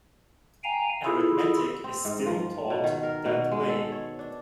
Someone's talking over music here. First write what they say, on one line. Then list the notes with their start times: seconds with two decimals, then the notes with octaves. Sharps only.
Arithmetic is still taught that way.
0.64 F5 G5 G#5 A#5
1.05 E4 F4 G#4 A4
1.84 C4
2.05 G#2
2.26 F3
2.70 B2
2.84 D#3
3.03 A#4
3.26 B2
3.51 G#3
3.69 A4
3.92 C#5
4.19 D4